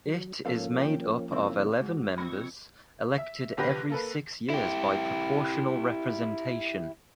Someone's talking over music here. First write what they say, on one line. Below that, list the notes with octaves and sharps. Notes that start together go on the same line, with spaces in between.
It is made up of eleven members, elected every six years by proportional representation.
F#3
F3 A#3 C#4 A4 F5
G5
C#3 C4 E4
G#2 F#4
F2 C4 B5 C#6 G#6 A#6
E5
A#1 D3 G4 B4 A#6
A#3 A4 B4
E4 G4